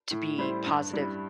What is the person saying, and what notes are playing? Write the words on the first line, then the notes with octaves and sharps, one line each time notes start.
to be positive
A2
G3 E4 C5
G2
G3 E4